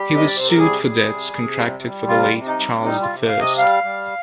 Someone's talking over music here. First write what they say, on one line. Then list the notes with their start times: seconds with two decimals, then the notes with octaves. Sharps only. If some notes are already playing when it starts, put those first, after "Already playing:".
He was sued for debts contracted for the late Charles the First.
Already playing: G3 G4
0.09 C3
0.17 D#5
0.27 D5
0.33 C3 C5
0.48 A#4
0.58 G3 G#4
0.83 G3
1.09 C3
1.34 C3
1.58 G3
1.83 G3
2.08 C3 F4
2.33 C3
2.45 D#4
2.59 G3
2.84 G3 D#4
3.02 F4
3.09 C3
3.28 F5
3.34 C3
3.40 D#5
3.58 G3 F5
3.84 G3